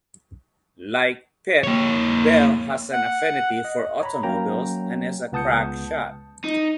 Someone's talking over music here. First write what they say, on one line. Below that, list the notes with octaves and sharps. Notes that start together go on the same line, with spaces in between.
Like Pitt, Bell has an affinity for automobiles and is a crack shot.
A#3 C#5
F#5
D#5
C#5 A#5 B5
F#3 A#3 C#4 G5 A#5
C#2 B3 A5 D#6 G6 C#7
D#4